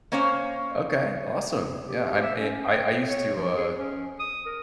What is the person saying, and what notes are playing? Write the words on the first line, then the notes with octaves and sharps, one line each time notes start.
Okay, awesome, yeah, I'm i I I used to, uh
A#3 C#4 C5 C#5 F5
G4
E5
C#4
G5
C#5
F3
G#4
C#4
D#6
A#4